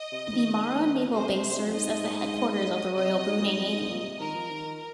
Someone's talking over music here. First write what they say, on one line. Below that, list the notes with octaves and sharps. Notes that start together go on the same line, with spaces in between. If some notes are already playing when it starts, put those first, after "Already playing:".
The Muara Naval Base serves as the headquarters of the Royal Brunei Navy.
Already playing: D#5
C3
D#3
A#2
C3 C5
C3
F2
G#2 D#5
C3 D#5
G#2
A#2
G#2
F2
G#2
A#2
C3
D#3 A#4
F3
D#3
D#3